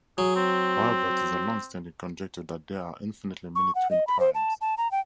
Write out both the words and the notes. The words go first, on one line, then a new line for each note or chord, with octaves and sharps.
However, it is a longstanding conjecture that there are infinitely many twin primes.
F#3 G#4
C4
C#6
F#5
D#5
B5
C5
A5
A5
A#5
G5